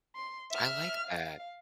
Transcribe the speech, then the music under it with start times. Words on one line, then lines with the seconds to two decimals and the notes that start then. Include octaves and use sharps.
I like that.
0.15 C6
0.51 E5 F6
1.07 F5